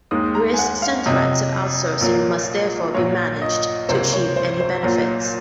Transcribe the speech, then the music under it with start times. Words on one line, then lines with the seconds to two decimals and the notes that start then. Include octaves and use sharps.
Risks and threats of outsourcing must therefore be managed, to achieve any benefits.
0.11 D#2 D#3 G#3 D#6
0.35 A#5
0.54 G#5
0.58 F#5
0.82 F5
1.05 F2 C3 F#3 D#5
2.00 A#1 A#2 F#3 A#3
2.94 A#1 A#2 F#3 C#5
3.42 D#5
3.89 C#2 C3 F#3 A#3 C5
4.13 C#5
4.36 C5
4.60 C5
4.83 A#1 A#2 F#3 C5